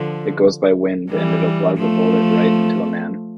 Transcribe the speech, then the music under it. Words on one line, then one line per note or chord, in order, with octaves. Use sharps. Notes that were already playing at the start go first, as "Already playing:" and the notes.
It goes by wind and it'll plug a bullet right into a man.
Already playing: D3 F3
E3 G3
F3 A3